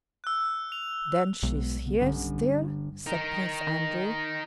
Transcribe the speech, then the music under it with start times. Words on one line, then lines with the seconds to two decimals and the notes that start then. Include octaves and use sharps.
"Then she is here still?" said Prince Andrew.
0.24 E6 F#6
0.72 F7
1.43 B1 B2 G#3 B3
1.86 C#3 B3
2.00 G1 C#4
3.07 D#4 A#4